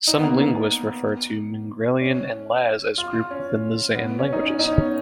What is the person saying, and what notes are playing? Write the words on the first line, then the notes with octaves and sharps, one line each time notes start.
Some linguists refer to Mingrelian and Laz as grouped within the Zan languages.
D#4
B3
A#3
A#3
C#4
F4
F4
C#4
B3
C#4
D#4
C#4
D#4
C#4